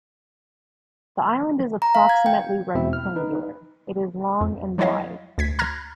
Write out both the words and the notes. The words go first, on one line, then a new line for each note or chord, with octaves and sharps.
The island is approximately rectangular; it is long and wide.
A#5
F5
G#6
G5
E2 B2 G#3 C4 E4 E5
F6
D#4 B4
F2
F3 F#3 E4 C#5 D#5 F5
D2 G#6 B6
A#5 F6 G#6 A#6